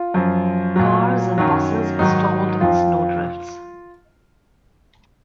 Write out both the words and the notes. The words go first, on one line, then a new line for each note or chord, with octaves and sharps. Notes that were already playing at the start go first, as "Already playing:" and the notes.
Cars and busses stalled in snow drifts.
Already playing: F4
F#2 F3
A#2 F#3
F#2 D#3 F#3
G#2 D#3 F#3 D#4
F2 F3 F4